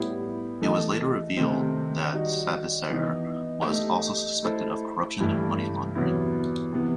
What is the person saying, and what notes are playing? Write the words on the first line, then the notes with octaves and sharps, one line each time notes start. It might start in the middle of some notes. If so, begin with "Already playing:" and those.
It was later revealed that Savisaar was also suspected of corruption and money laundering.
Already playing: A2 G3 B3 E4 G4
E3 A3 D#4 A4 D#5
C3 D#3 A3 C4
G3 D#4 F#4
E3 B3 D#4
A3 D#4 G4
A3 E4 A4 C5
G2 E3 A3 E4 G4
E2 C3 F#3 B3 E4
C3 E3 B3